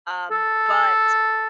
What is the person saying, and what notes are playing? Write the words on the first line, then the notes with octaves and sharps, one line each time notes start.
Um, but
A4